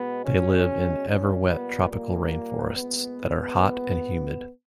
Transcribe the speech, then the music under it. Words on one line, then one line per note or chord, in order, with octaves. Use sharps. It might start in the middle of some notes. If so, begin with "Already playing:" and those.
They live in ever-wet tropical rainforests that are hot and humid.
Already playing: B2 G#3 B3
C#4
A#2 G3 C#4
B3
A#3
A#2 G#3 B3